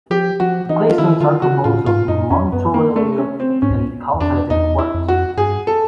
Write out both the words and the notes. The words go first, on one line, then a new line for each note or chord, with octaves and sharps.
The claystones are composed of montmorillonite with calcite and quartz.
F3 G4
F3 F#4
E3 D#4
F4
D#3 E4
D3 F4
C#3 F#4
A2 F4
G#2 F4
F#2 D#4
F2 C#4
F#2 B3
A#3
A3
C#4
C4
G#2 C#4
F2 D4
E2 D#4
E4
F2
F#4
G2 G#4
A4